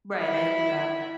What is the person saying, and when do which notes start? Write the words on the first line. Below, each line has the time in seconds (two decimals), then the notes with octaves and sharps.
Right, I do that.
0.16 E4